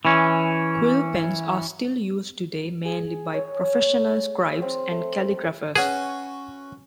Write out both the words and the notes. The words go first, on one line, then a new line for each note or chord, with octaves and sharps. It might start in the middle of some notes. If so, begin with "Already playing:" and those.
Quill pens are still used today mainly by professional scribes and calligraphers.
E3 C#4
G#4
C#5
C4
A3
C#4 F#4 G#4 B4